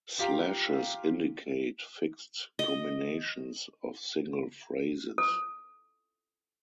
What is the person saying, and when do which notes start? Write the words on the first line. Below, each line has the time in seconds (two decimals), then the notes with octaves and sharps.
Slashes indicate fixed combinations of single phrases.
0.19 F4 G4 F5 G5 A#5
2.59 D#5
5.18 A4